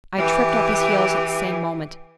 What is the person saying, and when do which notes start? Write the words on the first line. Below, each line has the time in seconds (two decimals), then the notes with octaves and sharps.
I tripped up his heels at the same moment.
0.18 E3 G4